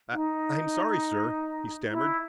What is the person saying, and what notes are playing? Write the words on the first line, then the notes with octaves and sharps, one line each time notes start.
"I--I'm sorry, sir," he stammered.
D#4
E4